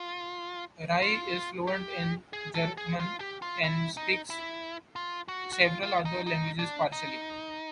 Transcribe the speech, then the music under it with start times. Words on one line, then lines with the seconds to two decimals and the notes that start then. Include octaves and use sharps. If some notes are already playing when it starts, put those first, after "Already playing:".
Rae is fluent in German and speaks several other languages partially.
Already playing: F4
1.02 F4
1.67 G4
2.33 G#4
2.55 A4
2.77 G#4
2.99 F4
3.20 G4
3.42 F4
3.64 E4
3.97 D#4
4.30 E4
4.96 F4
5.28 F#4
5.52 F#4
5.61 F4
5.83 F4
6.05 D#4
6.26 D#4
6.59 D4
6.92 D#4